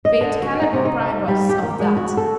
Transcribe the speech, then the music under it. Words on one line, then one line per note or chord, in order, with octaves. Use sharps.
Fate cannot deprive us of THAT.
D#5
D3
F#4
D#4
C3
D#4
G3
G4
A#3
G#3
F#4
A4